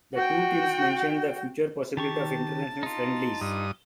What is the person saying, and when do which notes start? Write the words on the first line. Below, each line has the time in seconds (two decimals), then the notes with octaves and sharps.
The two teams mentioned the future possibility of international friendlies.
0.14 F#4 G5
1.97 D#3 G4 A5 C#6
2.83 D#4 F4
3.41 G2 D#6